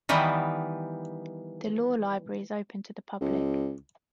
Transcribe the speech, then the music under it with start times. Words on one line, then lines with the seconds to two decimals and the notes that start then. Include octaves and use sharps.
The Law Library is open to the public.
0.09 D#3 E3 G3 B3
3.21 C#2